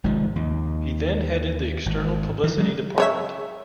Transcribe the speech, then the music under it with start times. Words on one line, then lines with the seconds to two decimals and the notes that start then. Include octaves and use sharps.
He then headed the External Publicity Department.
0.04 G#1 G#2 C3 F3
0.36 D#2
1.86 G#1
2.44 D#3 E3
2.58 F#3 G#3
2.98 C#3 C#5 E5